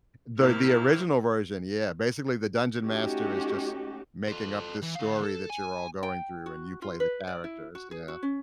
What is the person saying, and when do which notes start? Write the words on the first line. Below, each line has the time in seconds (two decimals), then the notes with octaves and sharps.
The the original version, yeah, basically the Dungeon Master is just making up this story that you're all going through and you play the characters. Yeah.
0.39 A2 C3 A#3 E4 F6
2.82 A3 C#4 D#4 F#4 G4
4.28 A4 C5
4.82 E3
4.95 D3 F5
5.23 A4
5.50 G#5
6.03 G5
6.46 F#4
6.82 F4
7.00 B4
7.27 D5
7.44 E4
7.75 F#4
7.91 G#4
8.08 F#4
8.23 C#4